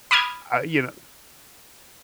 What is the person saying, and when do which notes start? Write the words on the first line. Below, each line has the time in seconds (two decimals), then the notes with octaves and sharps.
uh, you know,
0.11 B5 D6 D#6 F6 G#6